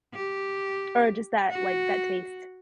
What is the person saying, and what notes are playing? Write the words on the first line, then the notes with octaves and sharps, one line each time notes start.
or just that, like, that taste.
G4
F#4